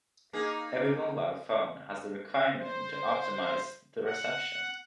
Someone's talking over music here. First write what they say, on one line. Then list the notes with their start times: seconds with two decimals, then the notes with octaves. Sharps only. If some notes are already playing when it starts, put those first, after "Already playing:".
Every mobile phone has the requirement to optimize the reception.
0.33 A#3 D#4 G#4
2.54 C5
4.03 F#5